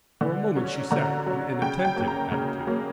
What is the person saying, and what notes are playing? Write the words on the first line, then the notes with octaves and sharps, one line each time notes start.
For a moment she sat in an attentive attitude.
D3
F#3 C#4
D3 A#5
F#3 C#4
C#3 G5
G5
F#3 A#3 G5
A#5
C#3
F#3 A#3